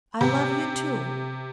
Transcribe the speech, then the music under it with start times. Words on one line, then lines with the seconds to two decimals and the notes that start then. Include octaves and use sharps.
I love you too....
0.21 C3